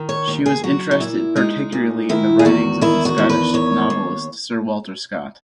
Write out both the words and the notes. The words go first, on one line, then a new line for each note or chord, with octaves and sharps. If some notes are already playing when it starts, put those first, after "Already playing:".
She was interested particularly in the writings of the Scottish novelist Sir Walter Scott.
Already playing: D#3
C#5
D#2
G#4
F#3 F#4
D#4
A#2 E4
G#3 D#4
A#2
D#3 E4
G#4
E2 F#4
D#3 E4
F#4
E2
B4
D#3 C#5
D#2